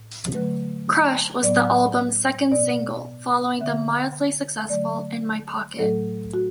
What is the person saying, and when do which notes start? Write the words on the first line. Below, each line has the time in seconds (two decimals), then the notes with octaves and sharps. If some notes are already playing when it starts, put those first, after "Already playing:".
"Crush" was the album's second single following the mildly successful "In My Pocket".
Already playing: A2
0.33 D3 F#3 A3 B4
1.43 A2 F#3 B3 D5
2.52 B2 B3 D5
3.61 D3 B3 E5
4.69 D3 F#3 A3 D5
5.78 A2 F#3 A3 A4
6.34 F#4